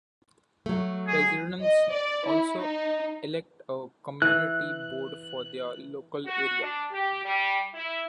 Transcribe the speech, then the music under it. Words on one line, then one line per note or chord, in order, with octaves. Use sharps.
Residents also elect a community board for their local area.
F#3 A3
G#4
D#5
D5
E4
D#4
E3 F#6
F#4
D4
G4
G3
E4